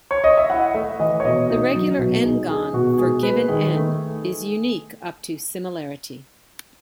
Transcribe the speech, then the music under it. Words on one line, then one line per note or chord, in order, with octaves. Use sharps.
The regular "n"-gon, for given "n", is unique up to similarity.
C#5
D#5
E5
E4 F#5
A3 E5
E3 D#5
C#5
B2 D#5
D#4
F#3
B2
D#4 G#4
D#4 G#4
B2 F#4
G#3 G#4
G#3 B4
D#3 G#4
A3